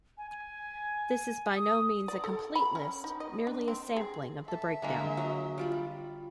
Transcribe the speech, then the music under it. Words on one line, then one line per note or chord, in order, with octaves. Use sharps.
This is by no means a complete list, merely a sampling of the breakdown.
G#5
G#5
D#6
D5
A4
B5
C#4
D#4
D#5
D4
C4
G#4
A4 E5
D3 G#3 A#3 G#4
F#3
G3 F4 B5